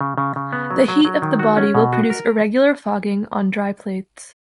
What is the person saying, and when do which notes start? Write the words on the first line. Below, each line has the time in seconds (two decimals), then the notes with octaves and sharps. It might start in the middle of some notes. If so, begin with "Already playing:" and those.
The heat of the body will produce irregular fogging on dry plates.
0.01 C#3
0.18 C#3
0.36 C#3
0.53 B3
0.70 F#3
0.88 F#3
1.05 F#3
1.22 D#3
1.39 F#4
1.57 C#4
1.75 B2
1.93 F#4
2.10 A#4